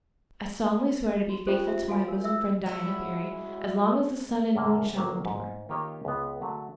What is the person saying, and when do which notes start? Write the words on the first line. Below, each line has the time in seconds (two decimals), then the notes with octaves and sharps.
I solemnly swear to be faithful to my bosom friend, Diana Barry, as long as the sun and moon shall endure.
1.29 F#4
1.47 C#4 F4 G4 A4 C5
1.67 F4 E5
1.88 F#4 A4 F5 G#5
2.08 A#4
2.24 E5 E6
2.66 F#3 G#3 C#4 E4
4.55 F#2 A#2 D3 A#3
4.94 G1 F#3 A#3 G4 C5 F#5
5.26 G#2
5.69 D#3 A#3 F4 G4 C#5 D#5
6.05 C#2 B3
6.41 D3 F#3 A3